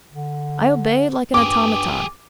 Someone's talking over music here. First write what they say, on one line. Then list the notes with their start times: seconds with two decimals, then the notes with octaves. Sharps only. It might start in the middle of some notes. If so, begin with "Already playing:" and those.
I obeyed like an automaton.
0.12 D3
1.34 G2 G4 G#4 D6